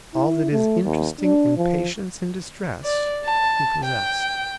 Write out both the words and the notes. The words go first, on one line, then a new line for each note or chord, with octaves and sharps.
All that is interesting in patience in distress he possessed.
E4
A3
D#2
D4
F3
D5
A5
G5